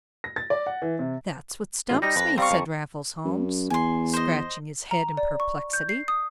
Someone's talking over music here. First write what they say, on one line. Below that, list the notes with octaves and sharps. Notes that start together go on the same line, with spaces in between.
"That's what stumps me," said Raffles Holmes, scratching his head in perplexity.
A#6
A6
D5
F#5
E3
C3
A1 F4
G3 D#4 A#6
F2 B4
G3 C4 F5 A#5 C#6
F2
F#2
E2 G#5 C6
C5 D#5
A#5
D5
C#6
G6
C7
D#6